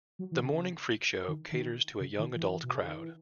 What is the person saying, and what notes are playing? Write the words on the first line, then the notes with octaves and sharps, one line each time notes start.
The Morning Freak Show caters to a young adult crowd.
F#3
E3
C#3
D#3
D#3
C#3
D#3
E3
B2
C#3
D#3
E3